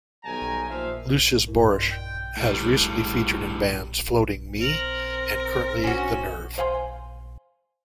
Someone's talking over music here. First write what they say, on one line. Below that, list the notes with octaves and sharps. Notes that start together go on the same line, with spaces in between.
Lucius Borich has recently featured in bands Floating Me, and currently the Nerve.
B1 D#3 G3 G5 G#5 A#5
A#2 F3 C5 E5 F5
G2 E4 A#4
D5 D#5 C6
G5
A2 G3
C4 A#4 F7 F#7
C#4 F#4
C5 F5 G#5 C6